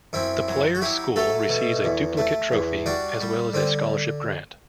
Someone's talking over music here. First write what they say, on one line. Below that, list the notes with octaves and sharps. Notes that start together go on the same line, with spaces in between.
The player's school receives a duplicate trophy, as well as a scholarship grant.
F#2 C4 E4
F#3
F#4
F#3 E4 G4
A3 F#4 A4
B2
E2
A3
E2
G3 D4 F#4
G3
D3 C4